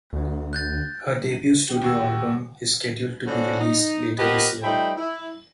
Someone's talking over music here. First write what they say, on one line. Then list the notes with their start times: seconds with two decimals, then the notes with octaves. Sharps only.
Her debut studio album is scheduled to be released later this year.
0.13 D2
0.53 F#6 G6 A6
1.32 D#7
1.69 G4
1.82 D#2 F#4 E6
3.27 A2 F3 C#4 D4 F#4 A4
3.60 D#4
4.18 F3 B3 G4 A#4 B4 D#5
4.63 F3 G3 A3 D#4 G5 B5
4.96 E4